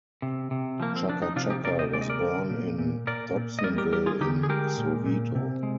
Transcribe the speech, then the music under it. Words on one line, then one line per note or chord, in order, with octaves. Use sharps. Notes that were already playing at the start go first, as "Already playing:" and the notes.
Chaka Chaka was born in Dobsonville in Soweto.
C3
C3
F3 A#3
C4
F3 D4
D#4
C3 D4 F4
D#4 G4
C3 A#4 D5
C5 D#5
G#3 D5
D#5
A#4 D5
D3
A#2
A#2
A#2 A#4 D5
A#2
D#5
G3 A#4 D5
G4 A#4
G3 G4 A#4
F4 G#4
D3 D#4 G4
G#4
G#3 G4 A#4
A#2
A#2
C3
G#3